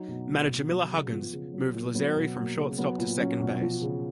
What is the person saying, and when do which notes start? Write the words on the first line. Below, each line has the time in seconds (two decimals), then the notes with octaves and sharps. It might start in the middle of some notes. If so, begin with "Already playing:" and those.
Manager Miller Huggins moved Lazzeri from shortstop to second base.
Already playing: F#3 D#4
0.08 B2
0.29 F#3
0.50 B2
0.71 F#3
0.91 C#3
1.12 F3 B3
1.33 C#3
1.54 F#3
1.74 A#2
1.95 F#3 B3
2.16 B2
2.37 F#3 A#3
2.57 C#3
2.78 F#3 B3
2.99 A#2
3.19 F#3 C#4
3.40 B2
3.61 F3
3.82 C#3